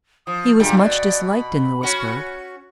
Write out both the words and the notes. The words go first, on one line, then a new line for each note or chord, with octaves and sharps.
He was much disliked in Louisbourg.
F3 D#6
G2 A#2 G3 G#4
B2 D5
B5
C#4 F#4